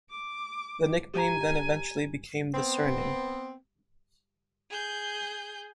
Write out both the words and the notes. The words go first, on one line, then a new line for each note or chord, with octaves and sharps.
The nickname then eventually became the surname.
D6
G4 G#5 A#5
B3 C4
G#4 G6